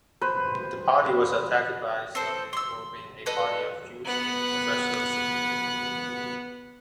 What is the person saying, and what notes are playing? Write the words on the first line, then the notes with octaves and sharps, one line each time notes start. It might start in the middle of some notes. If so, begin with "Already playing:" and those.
The party was attacked by some for being a party of Jews and professors.
B4 C5
C4 A4 C5
C6 E6
A4 B4 D#5
B3 F#5